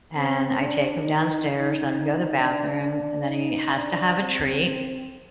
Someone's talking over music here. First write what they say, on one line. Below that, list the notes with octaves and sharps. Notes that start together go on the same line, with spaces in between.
and I take him downstairs, let him go to the bathroom, and then he has to have a treat,
C4
D4
D#4
D#4
D4
D4
D#4
D4
C4